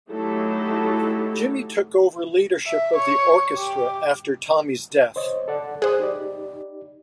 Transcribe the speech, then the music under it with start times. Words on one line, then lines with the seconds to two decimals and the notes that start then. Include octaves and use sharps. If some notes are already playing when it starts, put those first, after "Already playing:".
Jimmy took over leadership of the orchestra after Tommy's death.
0.11 F#3 A3 D#4 E4 G4 A4
2.66 E5
2.96 C#5
3.57 G4
5.16 C5 C#5 D#5
5.48 A4 D5 F#5
5.82 G#4 C5 D#6 F#6
6.00 D#4 G4 D5